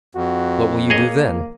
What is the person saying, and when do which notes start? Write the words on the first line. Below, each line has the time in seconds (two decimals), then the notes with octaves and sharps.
"What will you do then?"
0.15 F2 F#4
0.90 A#3 G#4 C#5 D#5